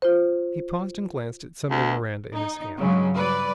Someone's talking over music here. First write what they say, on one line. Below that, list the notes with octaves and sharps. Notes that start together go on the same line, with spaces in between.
He paused and glanced at some memoranda in his hand.
F4 C5
D2
D#4
G2 C#3 F#3 G#3
F#3 G3 B4 D5